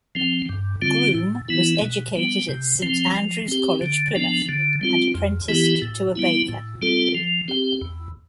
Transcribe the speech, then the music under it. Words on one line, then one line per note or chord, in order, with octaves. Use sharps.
Groom was educated at Saint Andrew's College, Plymouth and apprenticed to a baker.
F3 C4
G2
D3 G3 C4 F4
A2
E3 B3 E4
B2
G3 B3
C3
F3 C4
F3
C4 G4
D3
F3 B3 D4
D3
G3 C4 F4
F2
E3 B3 E4 G4
A2
G3 B3 E4
A2
G3 C4 F4 A4
F3
C4 G4
E2